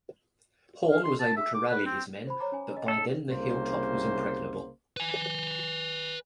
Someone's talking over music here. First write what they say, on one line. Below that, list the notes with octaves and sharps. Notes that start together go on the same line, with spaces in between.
Horn was able to rally his men, but by then the hilltop was impregnable.
F5
C6
A5
E5
D6
B4
C4
C5 B5
C#5 A#5 D6
C#4 G#5
D#5
A4 G5 E6
C2 C#3 A#3 C5
B4 G#5